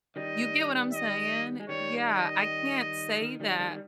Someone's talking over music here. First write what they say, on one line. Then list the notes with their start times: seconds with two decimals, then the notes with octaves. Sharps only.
You get what I'm saying? Yeah, I can't say that,
0.16 D#3 G3 D#5
0.93 D#5
1.60 G#3
1.69 D#3 G3 C#5
2.06 D#5
3.21 D#3
3.40 D#3 G3
3.59 D#3 G3
3.71 G3